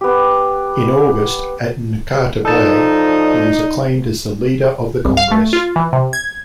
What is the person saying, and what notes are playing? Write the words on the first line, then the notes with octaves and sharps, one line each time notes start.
In August, at Nkata Bay, he was acclaimed as the leader of the Congress.
B3 G4
F3 D#4 A4 D5 A5
C2
F5
A3
F4
E3
C3
G#6